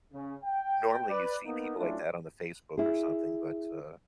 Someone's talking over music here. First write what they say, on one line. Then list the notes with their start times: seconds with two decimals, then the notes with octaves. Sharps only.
Normally, you see people like that on the Facebook or something, but, uh
0.14 C#3
0.44 G5
1.09 B4 D5
1.44 A#3 B3 D#4
1.77 F#3 A3 C#4 D4 E4 F4
2.77 E4 G#4